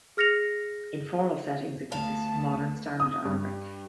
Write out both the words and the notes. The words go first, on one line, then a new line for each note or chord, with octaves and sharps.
In formal settings, it consists of Modern Standard Arabic.
G#4 F6 A#6 C#7 F7
D2 B3 F5 A5
D#6
G2